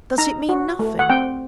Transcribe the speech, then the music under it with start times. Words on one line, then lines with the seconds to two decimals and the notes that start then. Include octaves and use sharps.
"Does it mean nothing."
0.18 D#4 A#5
0.49 F#4
0.79 A3
0.99 F#5
1.10 C4 G5